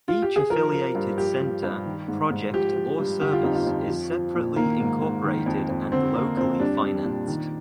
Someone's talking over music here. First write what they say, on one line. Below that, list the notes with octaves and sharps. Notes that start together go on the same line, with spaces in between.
Each affiliated center, project or service is separately incorporated and locally financed.
F4
G4
G#4
F3 A#4
F3
G2
F3 G4
F3
G2
D#3
G#2
G#2
F3 G4
F3
G2
D3 G4
F4
F2 D#4
F4
F2
F3
F3
A#2
D#3 A#3
G#2
G#2
D#3
F2
F2
D3 C4
F2 A#3
F2 C4
G3 D4
G3
A#2
D#3